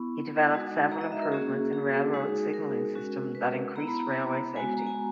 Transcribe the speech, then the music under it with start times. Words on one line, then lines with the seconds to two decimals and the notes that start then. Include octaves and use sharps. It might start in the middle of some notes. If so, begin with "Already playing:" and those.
He developed several improvements in railroad signalling system that increased railway safety.
Already playing: B3 E4 C#6
0.51 G#3 D#4 F#4
0.91 A#5
1.01 D#5
1.12 E5
1.22 A#4
1.32 A#3 C#4 F#4 G#4
1.73 G#4
2.13 G#3 D#4 F#4
2.54 A#4
2.94 G#3 C#4 F#4
3.35 B4
3.75 B3 E4 A#5
3.87 B5
4.00 A#5
4.56 G#3 B3 F#4 G#5
4.77 A#5
4.87 G#5